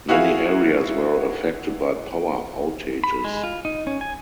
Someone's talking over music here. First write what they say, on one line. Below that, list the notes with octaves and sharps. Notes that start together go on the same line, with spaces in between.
Many areas were affected by power outages.
E4 F#4 G#4 E5 F5
B5
G#3
F4
D#4
C#4
G#5